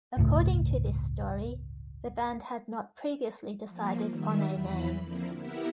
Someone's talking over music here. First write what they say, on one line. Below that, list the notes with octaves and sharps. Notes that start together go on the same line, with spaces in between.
According to this story, the band had not previously decided on a name.
G1 C#2 A2
F3 A#3
D#3 G3 E5
E2 E3 B5
D3 F3 A#3 C4 E4
B3 E4 G4 A#4 E5 F#5